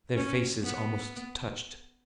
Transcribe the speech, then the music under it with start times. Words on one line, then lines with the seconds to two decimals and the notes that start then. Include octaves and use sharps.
Their faces almost touched.
0.16 C#4
0.63 B3